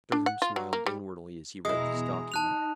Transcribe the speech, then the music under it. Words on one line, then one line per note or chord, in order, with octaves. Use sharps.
Durham smiled inwardly as he read this document.
D4
F#5
F4
F#3
A#3
G3
E2 B2 G#3 E4 A#5 D#6
D#4 A5 F#6 F7